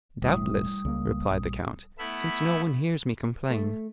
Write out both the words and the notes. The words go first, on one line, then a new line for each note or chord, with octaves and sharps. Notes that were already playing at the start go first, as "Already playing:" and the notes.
"Doubtless," replied the count, "since no one hears me complain."
E1 A2 G3 D#6
C#2 A3 A#3
A#1
A3 B3 E4 E5 B5
A3